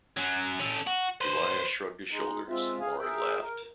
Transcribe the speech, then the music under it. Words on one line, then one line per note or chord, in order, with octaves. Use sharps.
Elias shrugged his shoulders and Maury laughed.
F#2 F#3
C#4 A4
F#4
B4 C5
G#3 D#4
G#3 C4 F4 E5
G#4 F5 G#5
G#4 A#4 E5 G5
A#4